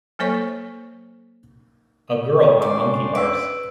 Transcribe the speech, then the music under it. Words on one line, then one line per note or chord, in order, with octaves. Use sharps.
A girl on monkey bars.
F#3 A#3 A4 C5 C#5 C#6
C#4 D4 C5 D5 C#6 D6
B4 E6 D7